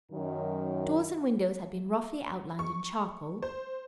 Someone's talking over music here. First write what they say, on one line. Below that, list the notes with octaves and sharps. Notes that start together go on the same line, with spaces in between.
Doors and windows had been roughly outlined in charcoal.
F#2 D#3
C#6
C5